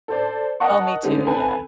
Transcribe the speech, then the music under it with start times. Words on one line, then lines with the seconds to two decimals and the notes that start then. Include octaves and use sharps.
Oh, me too, yeah.
0.08 A4 C5 D5
0.60 A#4 D#5 F#5 A5 C#6
1.02 D3 G#3 A3 C#4 D#4 G4
1.26 C4 A4 B4 G#5